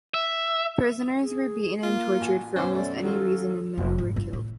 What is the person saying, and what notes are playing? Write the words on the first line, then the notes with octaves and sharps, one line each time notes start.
Prisoners were beaten and tortured for almost any reason and many were killed.
E5
G#4
A#3 F4
A1 F#4 G#5
F#2 B2 B3 C#4 C5 D6
A3 D5
D#3 F#3 F4 F#4 A4
F1
G#2 D#3
G1 F4
A2